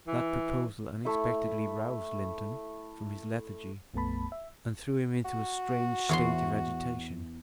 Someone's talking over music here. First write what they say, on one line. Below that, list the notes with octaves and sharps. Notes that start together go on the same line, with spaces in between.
That proposal, unexpectedly, roused Linton from his lethargy, and threw him into a strange state of agitation.
E3
A3 E4
A#1 F2 A3 B3 A5 B5
E5
F#4
E2 C#5 C6